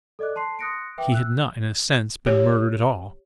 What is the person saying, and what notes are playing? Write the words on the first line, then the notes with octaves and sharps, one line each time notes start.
He had not, in a sense, been murdered at all.
A4 D5 D#5 D6 F#6
A5 C6 C7
C6 D#6 F#6 A#6 C#7 D7
B4 E5 G5 D6
E6 F#6
G4 C#5